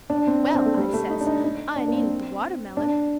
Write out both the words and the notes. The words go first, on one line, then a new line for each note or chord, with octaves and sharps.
Well, I says, I needed the watermelon.
D4
C4
D4
C4
A3
G3
A3
D#4
D4
D#4
D#4
D4
A#3
C4
D4